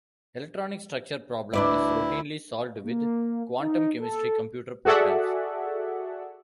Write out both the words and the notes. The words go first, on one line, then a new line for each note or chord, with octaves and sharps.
Electronic structure problem is routinely solved with quantum chemistry computer programs.
D2 D4 E4 B4 D5
A#3
D#4
A4
F#4 G#4 A4 D5 E5 F#5